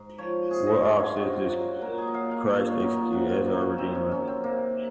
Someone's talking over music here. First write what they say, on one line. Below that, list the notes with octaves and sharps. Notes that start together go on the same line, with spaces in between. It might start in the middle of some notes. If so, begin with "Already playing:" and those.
What offices does Christ execute as our Redeemer?
Already playing: G#2
F3 C#5
C3 G#4
D#5
F#3 F5
C#5
C3 F#4
F4
F#3 F#4
A#2 A#4
G#4
D#5
F#3 F5
F5
A#2
C#5
F#3 D#4
F4
C3 F#4
F4
D#3 F#3 A#3
C#4
C3 C4
C#4
D#3 F#3 C#4
C4
C3 A#3